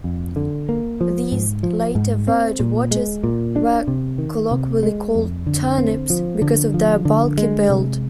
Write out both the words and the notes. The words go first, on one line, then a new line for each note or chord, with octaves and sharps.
These later verge watches were colloquially called 'turnips' because of their bulky build.
F2
D3
A#3
F3
G#2
F3
G#2
C4
A#2
G#3
A#2
D4
C3
D#3
C3
G#3
F2
D3
C4
F3
D3
F3
D3
G#3
C3